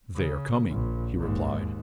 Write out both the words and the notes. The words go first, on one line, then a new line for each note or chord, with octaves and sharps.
"They are coming," he replied.
C#3
A#1
D#2 G#2